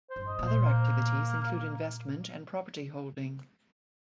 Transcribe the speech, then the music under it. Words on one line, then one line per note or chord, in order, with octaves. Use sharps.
Other activities include investment and property holding.
C5
G2
D#5
A#2
C5
A#3